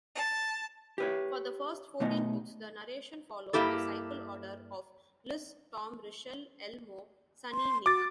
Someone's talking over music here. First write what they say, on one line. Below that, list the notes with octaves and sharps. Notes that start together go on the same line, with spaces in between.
For the first fourteen books, the narration followed the cycle order of Liz-Tom-Richelle-Elmo-Sunny-Nick.
A5
G4 B4 C#5
B2 A3 B3 D#4
G2 E3 A#3 E4 G4 A4
C6
F#4 D6 A6